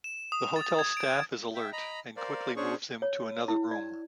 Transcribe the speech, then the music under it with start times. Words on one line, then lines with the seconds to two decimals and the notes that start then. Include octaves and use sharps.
The hotel staff is alert and quickly moves him to another room.
0.04 E7
0.32 D#6
0.56 A6
0.79 G#6
0.97 D7
1.55 E5 G5
1.73 D#5 A#5 B5
2.17 A#4 C5 D5 F5
2.56 C#4 D4 G#4 C5 C#5 C#6
3.02 C#5
3.48 E4
3.71 D5